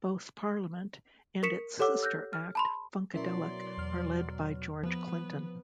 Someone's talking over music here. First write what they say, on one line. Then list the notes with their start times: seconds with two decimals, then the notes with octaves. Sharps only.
Both Parliament and its sister act, Funkadelic, are led by George Clinton.
1.43 A#4 C#6 B6 C#7 E7
1.79 G4 A4 C#5 F#5 D6 E6
2.03 E6 F#6 G6 A#6
2.33 F6
2.55 A5 B5 C6
3.14 B2 F#3 C#4 E4 A#4 D5 C6
3.78 E2 F6
4.83 F3 B3 B4